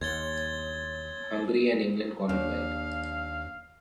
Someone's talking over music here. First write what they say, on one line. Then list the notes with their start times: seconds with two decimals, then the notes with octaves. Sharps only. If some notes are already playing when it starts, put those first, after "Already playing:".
Hungary and England qualified.
0.01 D#2 C#5 C6 G#6 A6 G7
2.29 D#2 D4 F5